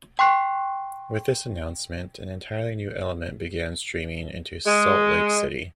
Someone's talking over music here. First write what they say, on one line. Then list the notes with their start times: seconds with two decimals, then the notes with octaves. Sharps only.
With this announcement, an entirely new element began streaming into Salt Lake City.
0.19 G5 C6 C#6 F#6 C7
4.66 G#3